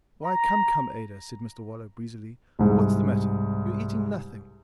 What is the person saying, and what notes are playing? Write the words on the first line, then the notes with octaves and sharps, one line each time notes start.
'Why, come, come, Ada,' said Mr Waller, breezily, 'what's the matter? You're eating nothing.
A#5
C2 G#2